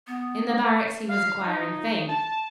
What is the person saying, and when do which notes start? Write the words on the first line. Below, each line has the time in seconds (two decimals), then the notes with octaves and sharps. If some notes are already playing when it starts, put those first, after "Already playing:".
In the barracks he was acquiring fame.
0.07 B3
1.09 F5
1.42 D#4
2.09 A5